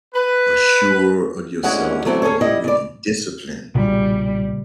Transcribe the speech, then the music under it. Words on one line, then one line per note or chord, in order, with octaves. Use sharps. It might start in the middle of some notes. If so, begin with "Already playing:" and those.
uh, sure of yourself and be really disciplined,
B4
D2 D3 G#3 C#4 E4 F#5
E3 F#3 A3 C4 E4
C#4 G#4 A4 C#5
G3 E4 D#5
C#3 D5
B1 A#2 C#3 G3